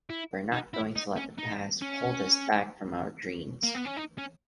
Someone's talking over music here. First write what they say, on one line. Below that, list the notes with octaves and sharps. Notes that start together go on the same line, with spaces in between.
We’re not going to let the past hold us back from our dreams.
E4
D#4
E4
D#4
C#4
D#4
C#4
A#3
B3
C#4
D#4
C#4